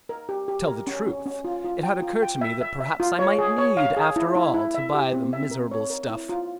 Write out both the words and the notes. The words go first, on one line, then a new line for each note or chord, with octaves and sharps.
To tell the truth, it had occurred to me that perhaps I might need after all to buy the miserable stuff.
A#4
G4
G4
A#4
C#4
C#4
C#4
F4
F4
G5
F4
G5
E5
E5
E5
F4
C#5
G#4
C#5
F5
G#4
E4
E4
E4
E5
G4
C4
E5
A#4
C#5
A#4
E4
F4